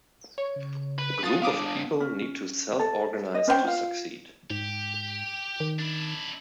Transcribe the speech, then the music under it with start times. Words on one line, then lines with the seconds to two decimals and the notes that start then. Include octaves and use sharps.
A group of people need to self-organize to succeed.
0.38 C#5
0.56 C#3
0.99 B4 B5
1.24 F4 F#4 A5 D#6 A6
1.42 B3 D4 F5 D6 D#6
2.00 C#4
2.79 A4
3.35 D#5
3.47 C#4 C5 D5 G5
3.64 F4 F5
4.50 G#2 G4
5.60 D#3
5.79 D4 E4